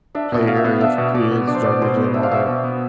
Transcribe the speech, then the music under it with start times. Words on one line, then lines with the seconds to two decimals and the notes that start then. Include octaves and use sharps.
play area for kids, jungle gym, all that.
0.15 D4 E5
0.32 B2
0.47 B2 F5
0.57 E5
0.64 B3 F5
0.81 D4 E5
0.98 B2
1.14 B2 D5
1.32 B3
1.47 D4 D5
1.55 C5
1.63 B2 D5
1.81 B2 C5
1.97 B3
2.14 D4 E5
2.23 F5
2.31 B2 E5
2.48 B2
2.64 B3